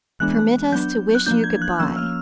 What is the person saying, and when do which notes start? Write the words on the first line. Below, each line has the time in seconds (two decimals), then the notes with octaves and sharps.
Permit us to wish you good-by.
0.20 E3 G#3 B3 D4 F#6
0.73 F#3 B3 D4 G6
1.15 F#6
1.26 F3 A#3 D4 G6
1.44 G#6
1.62 F#6
1.80 F3 A#3 C#4 E6
1.97 F6